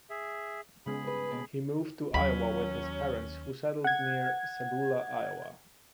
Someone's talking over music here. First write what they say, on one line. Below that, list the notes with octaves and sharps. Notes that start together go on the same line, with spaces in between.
He moved to Iowa with his parents, who settled near Sabula, Iowa.
G#4 E5
C#3 G#3 B3 G#4 B5
G2 B4
D#2 B2
D#2 F#3 C#4 B5
F#5 G#6